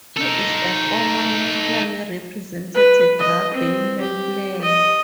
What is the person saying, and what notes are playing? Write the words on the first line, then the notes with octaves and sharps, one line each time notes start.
He is a former national representative rugby union player.
D#4 A4
B4
D#5
C4
G4
D#5